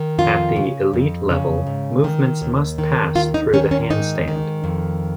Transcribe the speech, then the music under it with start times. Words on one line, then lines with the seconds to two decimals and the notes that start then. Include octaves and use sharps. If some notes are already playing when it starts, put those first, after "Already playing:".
At the Elite level, movements must pass through the handstand.
Already playing: D#3
0.18 F2 F4
0.56 C#3
0.93 F2
1.31 C#3
1.67 G#2
2.04 D#3
2.42 D#2
2.78 D#3
3.16 D#2 F4
3.34 D#4
3.53 D#3 C#4
3.71 C#4
3.90 G#2 D#4
4.28 D#3
4.64 F2